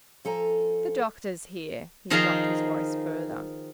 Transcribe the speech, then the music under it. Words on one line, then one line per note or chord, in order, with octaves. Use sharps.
"The doctors here." He dropped his voice further.
F3 A4 G#5 A#5
D#3 F3 D#4 G#4 D#5 F5